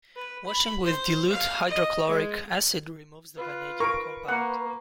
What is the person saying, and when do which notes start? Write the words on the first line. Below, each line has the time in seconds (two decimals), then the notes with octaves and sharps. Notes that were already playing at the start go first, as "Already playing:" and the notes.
Washing with dilute hydrochloric acid removes the vanadium compound.
0.16 B4
0.47 B5
0.85 C5
1.32 F5
1.69 D#5
2.08 G#3
3.37 F4 B4
3.80 A#4 C#6 D7
4.28 A#3 F#5